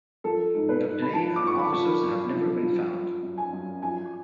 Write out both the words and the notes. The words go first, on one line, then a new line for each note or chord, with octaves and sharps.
The plane and officers have never been found.
F3 A4
G#2
B4
G#2
B5
F3 A5
D6
F3 C#6
B5
F3
F#2
F3
F3
F3
F#2
G#5
F#2
F3 G#5